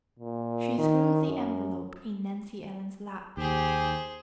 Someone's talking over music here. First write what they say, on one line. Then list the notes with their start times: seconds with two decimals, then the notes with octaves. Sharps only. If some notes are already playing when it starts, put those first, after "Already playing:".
She threw the envelope in Nancy Ellen's lap.
0.19 A#2
0.78 D#3
1.28 F#2
3.37 D#2 G4 G#4 C5